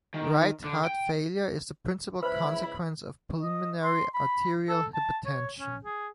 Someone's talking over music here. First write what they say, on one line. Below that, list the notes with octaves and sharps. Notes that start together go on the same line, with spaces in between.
Right heart failure is the principal consequence of pulmonary arterial hypertension.
D#3
D3
G5
C#2 G#3 E4 B4 C5 E5 B5
D#5
C6
B5
A4
A5
C#5
C#4
G#4